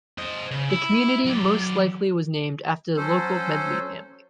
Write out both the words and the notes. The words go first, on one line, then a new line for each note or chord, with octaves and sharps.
The community most likely was named after the local Medley family.
C5 D#5
C#3
E4
F#3 D5
F#3 C#4 A4 C5